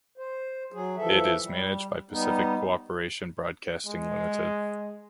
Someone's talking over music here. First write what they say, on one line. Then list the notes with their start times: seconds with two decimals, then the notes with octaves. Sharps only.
It is managed by Pacific Cooperation Broadcasting Limited.
0.18 C5
0.73 F#3 G#4
0.97 E3 F3 A4 E5
1.41 G3
2.11 G3 B3 D#4
3.87 G#3